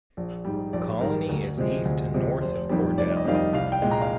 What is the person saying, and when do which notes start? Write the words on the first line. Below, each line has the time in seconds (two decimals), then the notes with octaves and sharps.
Colony is east and north of Cordell.
0.17 A#1
0.45 G#2 G3
0.73 A#1 D5
1.01 G#2 G3 A#4
1.29 D2
1.58 C3 F3 G#3
1.85 D2
2.14 C3 F3 G#3
2.41 F1 C5
2.69 F2 D#3 G3
2.98 F1 D5
3.17 D#5
3.25 F2 D#3 G3 F5
3.35 D#5
3.53 C2 F5
3.72 G5
3.82 A#2 G#3
3.91 A#5
4.02 F5